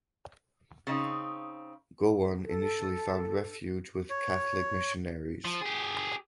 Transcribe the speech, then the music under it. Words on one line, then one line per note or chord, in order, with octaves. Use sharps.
Gowon initially found refuge with Catholic missionaries.
C#3 C4 D#4
A4
C#5
F3
G4 G#4